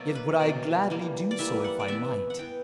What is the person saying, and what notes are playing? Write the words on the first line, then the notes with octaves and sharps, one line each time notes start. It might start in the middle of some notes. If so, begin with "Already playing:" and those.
Yet would I gladly do so, if I might.
Already playing: B2 F#3 A#3 D5 E5
B4
B2 F#3 A#3 D5
E3 G3 A#3
D5
E3 G3 A#3 E5
F#5
D5
E3 B3 E5
F#5
E3 B3 G5